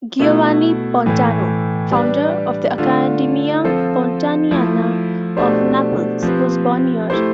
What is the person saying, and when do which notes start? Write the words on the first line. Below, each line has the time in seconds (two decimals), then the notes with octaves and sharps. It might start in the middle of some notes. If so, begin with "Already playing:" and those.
Giovanni Pontano, founder of the Accademia Pontaniana of Naples, was born here.
0.19 B2 A3 E4
1.06 A2 E3 A3
1.91 G3 D4 G4 B4
2.78 D3 A3 D4 F4
3.65 F3 C4 F4 A4 C5
4.51 F3 A3 E4
5.37 B2 A3 D4 G4 C5
6.23 F3 C4 G4 B4
7.10 A3 E4 G4 C5